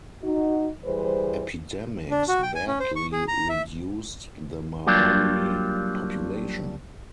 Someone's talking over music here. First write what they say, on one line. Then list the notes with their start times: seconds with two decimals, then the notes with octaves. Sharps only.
Epidemics badly reduced the Maori population.
0.23 D#4 F#4
0.85 E3 G3 G#4 B4 C5
2.11 D4
2.28 F#4
2.43 G5
2.55 G#5
2.67 C#4
2.80 C5
2.96 C#6
3.12 G#4
3.28 A#5
3.49 E5
4.87 F#3 G3 A#3 D4 F4 G4